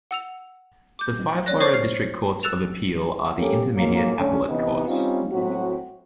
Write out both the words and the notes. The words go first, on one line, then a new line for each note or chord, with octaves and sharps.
The five Florida District Courts of Appeal are the intermediate appellate courts.
F#5 E6 F7
D6 G6
C#5 D5 F#6 A#6
C5 C#5 C#6 C7
F6 C7
E6 F#6 A6 E7 F7
A#3 C#4 G4 A4
G#2 F#3 A#3
D3 A3 C#4
C3 E3 B3 D#4
G3 C4 C#4 D#4 F4
A2 F#3 C4 F#4